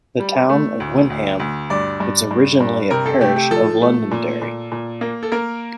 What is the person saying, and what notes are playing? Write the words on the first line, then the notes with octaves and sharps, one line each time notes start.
The town of Windham was originally a parish of Londonderry.
G3
A3
D2
D2
D2
G2 D5
G2
G2
G2
C3 A#4
A4
A3 G4
G4
F3 A4
A3
A#2
A#2
A#2
A#3
A4
A#3 A#4